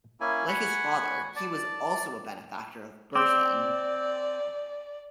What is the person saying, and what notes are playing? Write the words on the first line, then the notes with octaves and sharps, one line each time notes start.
Like his father he was also a benefactor of Burton.
A#3 C#4 E4 G#5
F#5 G#5 B5 C#6
D5 A5
C4 D5 D6